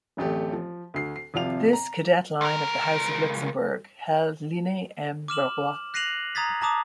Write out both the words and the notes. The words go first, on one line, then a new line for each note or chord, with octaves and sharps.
This cadet line of the House of Luxembourg held Ligny-en-Barrois.
D1 A1 A3 G4
F3
D2 C7
C7
G#1 C3 F3 F5 F7
A#5
C#2 A#4
D6 F6 E7 F#7
F#6 A#6 C7 D#7 F7 F#7
A#5 D#6 G#6 A6 B6
A5 A#5 D6 D#6